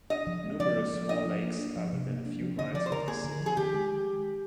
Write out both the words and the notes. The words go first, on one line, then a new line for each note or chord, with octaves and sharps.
Numerous small lakes are within a few miles of the city.
D4 D#5
F3
G#3
F3 D5
A#3
F3
D4 D#5
F3
A#3
D4
F3
C3
A#3
D4
F3
D3 D#5
F3 D5
C5
D3 A#4
A#3 G#4
D3
F3
G#4
D#3 G4
G#3